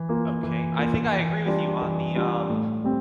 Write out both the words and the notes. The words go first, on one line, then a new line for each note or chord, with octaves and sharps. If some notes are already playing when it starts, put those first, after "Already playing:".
okay I think I agree with you on the, um,
Already playing: E3
A#3 F4
E3
A#3 F4
E3
G3 D4 F4
E3
G3 D4 F4
A2
G3 C4